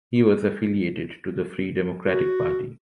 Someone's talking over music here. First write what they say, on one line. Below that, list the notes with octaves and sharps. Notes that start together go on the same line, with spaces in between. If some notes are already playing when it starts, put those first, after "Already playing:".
He was affiliated to the Free Democratic Party.
F#4